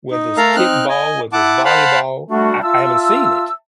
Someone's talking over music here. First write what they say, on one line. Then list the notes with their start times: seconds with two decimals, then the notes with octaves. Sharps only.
whether it's kickball, whether it's volleyball, I I haven't seen it.
0.11 D#4
0.37 A3 A4 A#4 F5 A#5
0.56 C4 D#4 F6 F#6
0.89 D#5 G#5
1.33 E4 F#5 A5 D6
1.65 C5 F5 F#5 A5 B5
2.29 G3 A3 D4 F#4
2.63 F4 E5 A5 E6